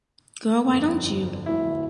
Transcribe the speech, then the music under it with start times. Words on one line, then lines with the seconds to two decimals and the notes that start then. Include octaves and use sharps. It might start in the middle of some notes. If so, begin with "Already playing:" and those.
Girl Why Don't You?
0.67 G1 F2 D3
1.46 D1 E4